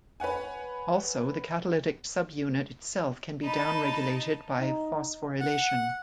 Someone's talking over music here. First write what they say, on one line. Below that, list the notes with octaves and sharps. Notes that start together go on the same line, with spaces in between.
Also, the catalytic subunit itself can be down-regulated by phosphorylation.
B4 C#5 F#5 G#5
D#4 A5 B5
D#4
F#5